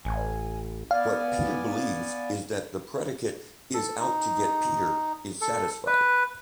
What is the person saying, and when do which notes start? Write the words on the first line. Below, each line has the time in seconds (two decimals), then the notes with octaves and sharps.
What Peter believes is that the predicate 'is out to get Peter' is satisfied.
0.05 A1 G#5
0.91 B3 D5 F5 G#5
3.74 A4
4.00 D#4
5.41 A4
5.87 B4